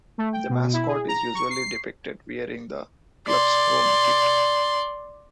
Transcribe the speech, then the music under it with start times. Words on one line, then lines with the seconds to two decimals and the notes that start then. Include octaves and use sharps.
The mascot is usually depicted wearing the club's home kit.
0.18 A3
0.32 G5
0.49 B2
0.73 E4
0.87 G#4
1.08 A#5
1.35 C#6
1.50 C7
3.27 D5 C6